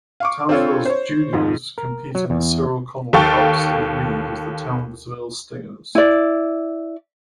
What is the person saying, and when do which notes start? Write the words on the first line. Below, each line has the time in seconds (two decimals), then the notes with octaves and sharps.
Townsville's juniors compete in the Cyril Connell Cup state league as the Townsville Stingers.
0.20 F5 C#6 D6
0.49 C4 D4 F4 A4 C#5
0.86 C5 C#5
1.33 F2 G#2 D#3 F3
1.78 A#4
2.15 F#3
2.30 E2
3.13 D#2 A4 F5 G5 C#6 A6
5.95 E4 D5